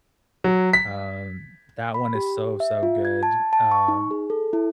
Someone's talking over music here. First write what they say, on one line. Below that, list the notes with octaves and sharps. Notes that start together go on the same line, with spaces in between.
Um, that one is so, so good, uh,
F#3
B6
B5
G4
E5
F4
G#6
A5
A5
C#6
D#4
G#4
A4
E4